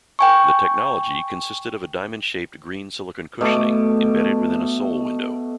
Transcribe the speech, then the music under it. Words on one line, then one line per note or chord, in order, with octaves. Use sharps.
The technology consisted of diamond-shaped green silicon cushioning embedded within a sole window.
G5 G#5 C#6
B2 A3 D6